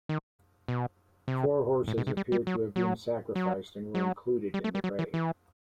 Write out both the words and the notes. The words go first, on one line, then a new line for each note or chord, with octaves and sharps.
Four horses appear to have been sacrificed and were included in the grave.
D#3
B2
C3
A2
B2
C3
G3
G3
F#3
F#3
F#3
F#3
G3
A3
G3
F#3
E3
E3